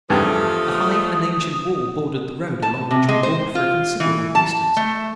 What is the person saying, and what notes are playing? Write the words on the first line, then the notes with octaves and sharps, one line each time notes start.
A high and ancient wall bordered the road along which we walked for a considerable distance.
E2 G2 F3 A3 D#6
A5
C3
G#3
C5
F4
E3
A5
A3